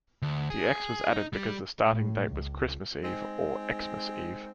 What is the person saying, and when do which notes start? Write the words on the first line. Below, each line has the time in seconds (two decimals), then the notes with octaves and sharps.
The "X" was added because the starting date was Christmas Eve, or "X"mas eve.
0.22 D2
0.50 G#4
1.10 D#4
1.33 G3
1.86 A2
2.28 C#2
3.03 G#3 C4 D#4